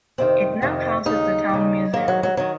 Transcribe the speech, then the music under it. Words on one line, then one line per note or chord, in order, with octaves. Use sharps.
It now houses the town museum.
F2 C3 D#3 C4
F2 C3 D#3
D#2 C#3 D#4
D#2 C#3
G#2 D#3 A#3
F#3
F#3
D#3 F#3